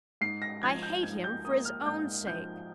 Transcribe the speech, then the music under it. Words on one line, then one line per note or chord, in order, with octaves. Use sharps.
I hate him for his own sake.
G#2 C7
A#6
F3 G#6
G6
G#2 G#6
G6
A#3 D#6
F6
G#2 G6
F3 G6